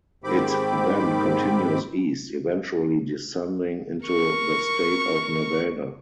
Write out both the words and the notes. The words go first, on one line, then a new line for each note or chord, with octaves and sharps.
It then continues east, eventually descending into the state of Nevada.
G#2 D#3 C4 G4 B5 D6
A#4 C#6